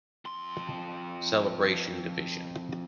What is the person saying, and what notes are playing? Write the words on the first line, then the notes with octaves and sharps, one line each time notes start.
Celebration division.
F2 C6